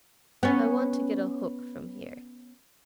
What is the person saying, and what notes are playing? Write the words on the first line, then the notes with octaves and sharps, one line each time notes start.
I want to get a hook from here.
B3 C#4